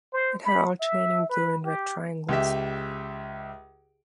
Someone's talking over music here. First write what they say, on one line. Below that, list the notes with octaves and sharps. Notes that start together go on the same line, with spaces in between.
It had alternating blue and red triangles.
C5
B5
E5
B4
G4
C#2 G4 E5